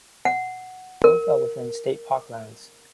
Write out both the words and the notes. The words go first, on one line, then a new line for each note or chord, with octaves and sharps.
Both are within state park lands.
F#5
A#4